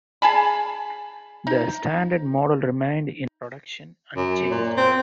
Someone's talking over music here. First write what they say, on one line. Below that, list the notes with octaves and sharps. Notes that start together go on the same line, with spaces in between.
The standard model remained in production unchanged.
G#4 G#5 A5 B5
D#4
F#2
A#2
C4